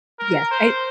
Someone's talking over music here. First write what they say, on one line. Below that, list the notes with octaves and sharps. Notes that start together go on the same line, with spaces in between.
Yes, I
A#4
C5